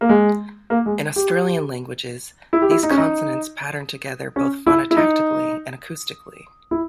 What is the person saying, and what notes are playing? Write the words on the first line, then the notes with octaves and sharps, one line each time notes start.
In Australian languages, these consonants pattern together both phonotactically and acoustically.
A#3
G#3
A#3
G#3
G4
E4
G4
E4
D#4
C#4
D#4
C#4
E4
E4
D#4
E4